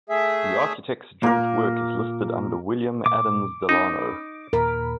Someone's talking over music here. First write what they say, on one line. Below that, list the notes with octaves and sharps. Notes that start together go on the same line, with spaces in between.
The architects' joint work is listed under William Adams Delano.
A3 G#4 E5
A#2 A#3 A#4
A#2 D6
C#4 D#4 B5
D#2 A#2 A#4 B5